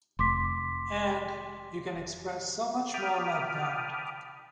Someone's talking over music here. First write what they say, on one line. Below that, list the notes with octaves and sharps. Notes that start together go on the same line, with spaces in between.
And you can express so much more like that.
F1 C6 D6 B6
G5 A5 B5 D6 D#6 F6